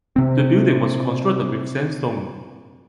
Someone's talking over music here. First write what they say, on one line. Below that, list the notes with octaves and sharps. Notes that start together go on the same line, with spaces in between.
The building was constructed with sandstone.
C3 C4